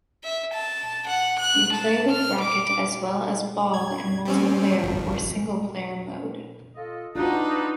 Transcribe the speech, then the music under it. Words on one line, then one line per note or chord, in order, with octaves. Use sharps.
You play with racket as well as ball in multiplayer or single player mode.
E5
A5
F#5
F#6
A5
F6
D6
G#6
G3 C4 C#4
G#1 F3
F4 A4 D#5
D4 D#4 F4 F#4 B4